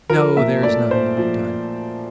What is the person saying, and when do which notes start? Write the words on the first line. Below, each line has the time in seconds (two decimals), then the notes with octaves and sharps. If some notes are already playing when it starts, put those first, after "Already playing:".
No, there is nothing to be done.
0.10 F3 A#4
0.36 A#2 E5
0.63 A3 D5
0.90 A#2 C5
1.17 F3